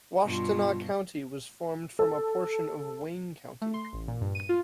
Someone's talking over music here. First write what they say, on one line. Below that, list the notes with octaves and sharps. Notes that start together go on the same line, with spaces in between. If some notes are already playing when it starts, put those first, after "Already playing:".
Washtenaw County was formed from a portion of Wayne County.
G2 B2 F4
A4
A3
C6
A1
A#2
G2
D#7
F4